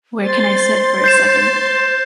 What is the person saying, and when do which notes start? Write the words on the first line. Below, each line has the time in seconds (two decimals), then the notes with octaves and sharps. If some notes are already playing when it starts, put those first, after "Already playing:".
Where can I sit for a second?
0.21 C5 C6 A6
1.04 G6 C7 E7